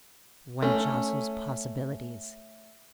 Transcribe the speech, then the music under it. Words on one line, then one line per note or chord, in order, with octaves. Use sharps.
One jostles possibilities.
A3 C#4